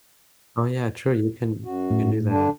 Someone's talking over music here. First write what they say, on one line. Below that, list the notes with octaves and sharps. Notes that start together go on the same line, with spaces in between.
Oh, yeah, true, you can you can do that.
F#2 F#4
A2
D3 D4